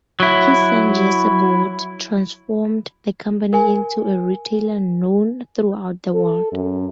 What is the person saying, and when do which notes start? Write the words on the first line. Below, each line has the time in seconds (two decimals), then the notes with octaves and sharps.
His son Jesse Boot transformed the company into a retailer known throughout the world.
0.20 F#3 E4
3.53 A#4 G#5
6.15 A4
6.52 F#2